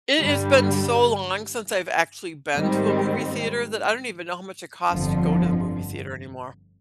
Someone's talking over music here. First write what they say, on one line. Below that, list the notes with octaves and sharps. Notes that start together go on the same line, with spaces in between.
it has been so long since I've actually been to a movie theater that I don't even know how much it costs to go to the movie theater anymore.
G2 D3 G3
G#2 D#3 G3 C4
G1 F2 D3 F3